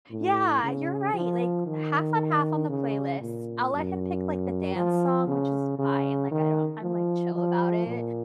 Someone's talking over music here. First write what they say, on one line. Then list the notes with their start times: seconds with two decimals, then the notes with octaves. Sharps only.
Yeah. You're right, like, half on half on the playlist. I'll let him pick, like, the dance song, which is fine. Like, I don't I'm, like, chill about it.
0.11 A2
0.63 C#3
1.14 F3
1.66 D#3
2.70 C#3
3.21 A#2
3.73 F#2
4.76 F3
5.27 C#3
5.79 C#3
6.31 D#3
6.82 F3
7.35 F3
7.86 A#2